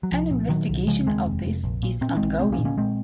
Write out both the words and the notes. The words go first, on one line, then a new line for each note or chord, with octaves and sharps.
An investigation of this is ongoing.
F#3
C2 F3
A#2
A#2 D#3 F#3
C2
C#3 F3 G#3
D#2 G#3 C4
F1
F1
A#1
A#2
A#2 C4
C#4
A#1 G#3 C4
C2 G#3 C4
A#3 C#4
A#2
A#3 C#4
A#2 G#3 C4